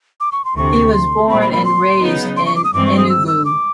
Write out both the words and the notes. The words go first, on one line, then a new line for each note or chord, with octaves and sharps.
He was born and raised in Enugu.
D6
C#6
C6
D2 C3 E3 C#6
C6
A#2 G3 C4 B5
B5
B5
C6
C#3 F#3 B3 D#4
C6
C#6
D6
D#6
G2 E3 G#3 C4 D6
C#6
D#6
E6
E6
D6